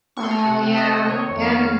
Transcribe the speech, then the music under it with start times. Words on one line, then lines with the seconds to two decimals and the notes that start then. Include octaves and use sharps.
Oh, yeah, yeah.
0.17 C#6
0.23 C6
0.31 A#5
0.39 G#5
0.45 C3 F#5
0.67 C4
0.77 D#5
0.88 C4
1.09 D#3 C#5
1.31 F2
1.42 F5
1.52 D#3